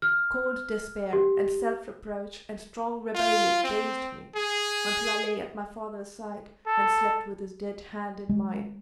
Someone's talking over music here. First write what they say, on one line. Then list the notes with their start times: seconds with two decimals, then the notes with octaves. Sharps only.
Cold despair and self-reproach and strong rebellion dazed me, until I lay at my father's side, and slept with his dead hand in mine.
0.02 F6
1.13 G4
3.15 F4
3.64 C4
4.36 G#4
6.67 A4
8.29 G#3